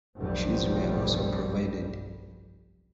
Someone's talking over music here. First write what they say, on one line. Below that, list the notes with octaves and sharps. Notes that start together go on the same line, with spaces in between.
Shoes were also provided.
F1 B1 G2 G3